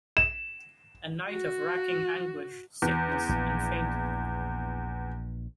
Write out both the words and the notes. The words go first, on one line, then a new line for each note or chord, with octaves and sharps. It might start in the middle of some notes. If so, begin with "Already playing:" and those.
A night of racking anguish, sickness and fainting.
E7
F#4
E2
A#1